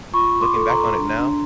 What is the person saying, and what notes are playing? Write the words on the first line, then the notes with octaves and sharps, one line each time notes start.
looking back on it now
F4 B5 C#6
F4
C6 D6
A4
A#5 C6
A4
D4
D4